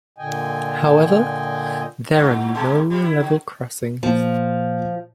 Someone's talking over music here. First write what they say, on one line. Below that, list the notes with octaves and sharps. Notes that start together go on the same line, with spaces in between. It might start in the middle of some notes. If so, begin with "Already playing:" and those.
However, there are no level crossings.
A#2 D3 D#5 G5 G#5
G2
B2 G#3 A#3
C3 G3
E4
D3
A#2 F3